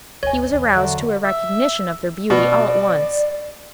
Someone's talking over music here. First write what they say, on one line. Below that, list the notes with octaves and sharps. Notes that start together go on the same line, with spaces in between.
He was aroused to a recognition of their beauty all at once.
G#1 D2 C#5 D#5 G#5
E2 C#3
D3 F#3 F#4 D5 E5
E5
B2 D5